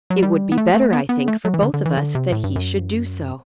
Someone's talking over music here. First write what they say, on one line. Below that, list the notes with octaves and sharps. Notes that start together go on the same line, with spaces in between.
"It would be better, I think, for both of us that he should do so."
F#3
G3
B3
A3
A3
B3
B3
A3
F#3
E3
D3
D3
E3
D3
C3
A2
G2
F#2